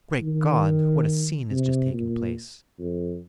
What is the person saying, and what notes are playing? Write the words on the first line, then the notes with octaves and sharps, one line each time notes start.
Great God! what a scene has just taken place!
D#3
C3
A#2
F2